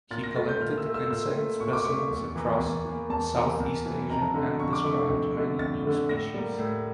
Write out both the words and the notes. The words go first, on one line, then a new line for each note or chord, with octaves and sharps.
He collected insect specimens across Southeast Asia and described many new species.
A#2 A6
A#6
A3 A6
G6
A#2 F6
E6
A3
E6
A#2 E6
A3
A#2 C#6
D6
A3 C#6
E2
E3 A#3
E2
E3 A#3
E2 A5
E3 A#3
E2
E3 A#3
F2 A#5
A5
A#5
D3 A3
F2 C#6
D6
D3 A3 C#6
F2
D3 A3
F2 A6
D3 A3
A2 A#6
G3 A#3
A2